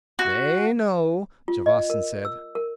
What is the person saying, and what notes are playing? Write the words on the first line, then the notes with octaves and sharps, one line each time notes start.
"They know," Javasan said.
F#4
F4
D#5
A#4
E6
A#4